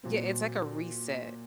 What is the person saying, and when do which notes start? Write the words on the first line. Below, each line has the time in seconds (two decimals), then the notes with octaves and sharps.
Yeah, it's like a reset,
0.04 A#2 F#3 C4